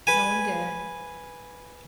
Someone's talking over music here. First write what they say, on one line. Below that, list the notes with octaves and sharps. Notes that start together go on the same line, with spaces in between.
No one dared.
B4 G#5